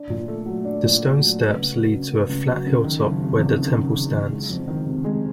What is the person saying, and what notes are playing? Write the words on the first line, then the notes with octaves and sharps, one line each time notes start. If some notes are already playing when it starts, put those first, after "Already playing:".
The stone steps lead to a flat hilltop where the temple stands.
Already playing: D4
A#2
A3
F#3
D4
A#2
A3
F#3
B3
C#2
F#3
C#3
B3
C#2
F#3
C#3
D#3
F#1
C3
E2
D#3
F#1
C3
E2
G#3
F2
D#3
C3
G#3